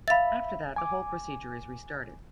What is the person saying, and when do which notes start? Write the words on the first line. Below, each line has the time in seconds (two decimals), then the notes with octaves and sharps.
After that, the whole procedure is restarted.
0.08 E5 F5 B5 A6
0.76 G#5 D6